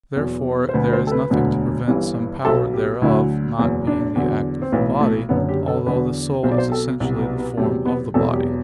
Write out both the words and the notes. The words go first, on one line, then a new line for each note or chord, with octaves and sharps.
Therefore there is nothing to prevent some power thereof not being the act of the body, although the soul is essentially the form of the body.
E2 B2 F#3
C5
D2 D3 F#3 B4
B4
C5
A4
B4
E1 D2 D3 F#3
G1 G2 E3
B1 B2 F#3 A4
G4
D2 D3 F#3 E4
F#1 E2 B2 F#3
D4
E2 D3 F#3
C4
B1 A2 E3 B3
A3
F#1 F#2 D3 B3
G4
A4
E2 D3 F#3 B4
B1 B2 F#3 C5
D5
C5
A4
C2 B2 F#3
B3
B3
E2 C3 F#3 A3
B3
E1 E2 B2 F#3 A4
G4